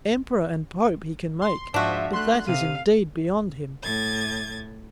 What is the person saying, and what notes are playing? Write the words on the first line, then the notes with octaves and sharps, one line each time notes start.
Emperor and pope he can make, but that is indeed beyond him.
C6
G#2 F3 D4 F#4 E5
A3 C6 F#6
C3 F5 D#7
A2 G#6 A6